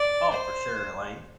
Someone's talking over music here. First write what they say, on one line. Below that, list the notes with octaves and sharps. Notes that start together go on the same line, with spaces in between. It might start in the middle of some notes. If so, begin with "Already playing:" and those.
Oh, for sure. Like,
Already playing: D5
C5